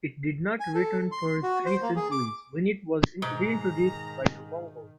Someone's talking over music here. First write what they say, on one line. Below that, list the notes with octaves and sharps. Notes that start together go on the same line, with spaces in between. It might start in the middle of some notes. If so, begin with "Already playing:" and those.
It did not return for three centuries, when it was reintroduced by the Mongols.
G#5
A4
C6
C6
F#4
C5
A#3
G#4
D6
G#2 B2 D#3 A#5